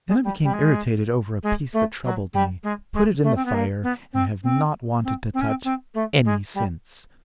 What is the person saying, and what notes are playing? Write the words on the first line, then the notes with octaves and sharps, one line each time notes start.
Then I became irritated over a piece that troubled me, put it in the fire, and have not wanted to touch any since.
G#3
G3
G3
G#3
G#3
A3
F#3
G3
G#3
G#3
A3
C4
B3
A#3
B3
C4
C4
C4
C4
C#4
C4
C4
A3
G#3
G3